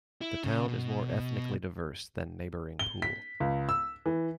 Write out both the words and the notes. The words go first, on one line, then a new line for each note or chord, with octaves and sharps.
The town is more ethnically diverse than neighbouring Poole.
E4
C#3
B2
G7
B6
C#2
E6
E3